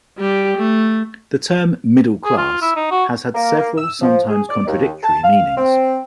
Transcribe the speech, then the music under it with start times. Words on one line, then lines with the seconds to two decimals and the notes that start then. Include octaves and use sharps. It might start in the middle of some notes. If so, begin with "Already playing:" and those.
The term "middle class" has had several, sometimes contradictory, meanings.
0.18 G3 G4
0.57 A3
2.25 G#4
2.37 F4
2.62 E4
2.76 D#4
2.91 F#4
3.35 A#3
3.58 A#3
3.78 E6
4.02 F3
4.30 G#4
4.49 D5
4.67 D#2
5.03 A5
5.24 F5
5.58 C4